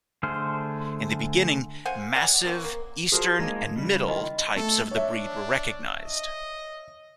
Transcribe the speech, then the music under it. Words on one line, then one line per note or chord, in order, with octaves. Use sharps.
In the beginning, "Massive," "Eastern," and "Middle" types of the breed were recognized.
D3 A3 G#4 C5 F6
C5 F5 F#5 G#5
D5 F#5 G#5
F#3 A#3 C4 F#4
A#3
F3 F#4 G#4 A#4 C5
G#3 A#3 D#4
C#3 G3
D#3 E4 F4
A3 A4
D4 C#5 E5
D#5